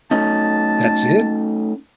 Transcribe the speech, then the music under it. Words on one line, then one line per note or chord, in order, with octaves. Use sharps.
That's it?
A3 C#4 D#4 A5